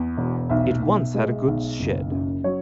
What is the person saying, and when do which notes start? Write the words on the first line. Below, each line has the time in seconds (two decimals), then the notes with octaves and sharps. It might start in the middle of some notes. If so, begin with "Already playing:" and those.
It once had a goods shed.
Already playing: E2
0.17 E1
0.50 B1 E5
0.82 B1
1.14 G#3
1.48 B1
1.79 F#1
2.12 F#2
2.44 F#3 C#5